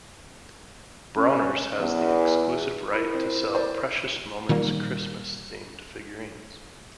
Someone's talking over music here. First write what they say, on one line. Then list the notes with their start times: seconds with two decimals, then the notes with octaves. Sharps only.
Bronner's has the exclusive right to sell Precious Moments Christmas-themed figurines.
1.17 C#4
1.78 E2
2.93 E4 A#4 B5
3.14 C4
3.55 C5 D5
4.49 A#2 D#3 G3 A#3